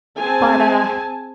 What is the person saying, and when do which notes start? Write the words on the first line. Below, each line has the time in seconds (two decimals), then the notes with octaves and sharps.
But, uh
0.20 C4 G#4 G#5 A5